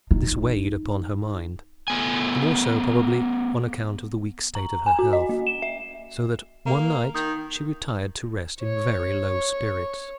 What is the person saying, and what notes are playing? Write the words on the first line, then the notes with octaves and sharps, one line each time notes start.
This weighed upon her mind, the more so probably on account of the weak state of her health; so that one night she retired to rest in very low spirits.
D#4
A3 B3 G#5
A#5
G#5
F#4
D#5
A#3
E7
E5
A#3 A#5
D#3 D#6 G6
C#5 C#6